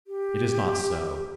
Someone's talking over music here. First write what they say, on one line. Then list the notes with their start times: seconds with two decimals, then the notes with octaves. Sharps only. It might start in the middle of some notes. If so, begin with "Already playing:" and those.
It is not so.
0.07 G4